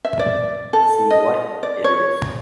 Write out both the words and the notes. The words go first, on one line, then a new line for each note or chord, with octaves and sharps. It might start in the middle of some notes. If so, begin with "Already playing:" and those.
See what it is.
E5
D5
A4
D#5
D5
C#5